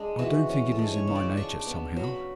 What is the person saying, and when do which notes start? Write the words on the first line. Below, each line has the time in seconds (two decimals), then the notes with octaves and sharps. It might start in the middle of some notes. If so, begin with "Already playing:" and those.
I don't think it is in my nature somehow.'
Already playing: G#3 D4
0.19 E3 F#4
0.49 C#4
0.71 A4
0.79 G#3
0.92 C#5
1.07 C#3
1.15 D5
1.37 D4 C#6
1.59 D6
1.67 B3
1.96 F#3
2.04 B5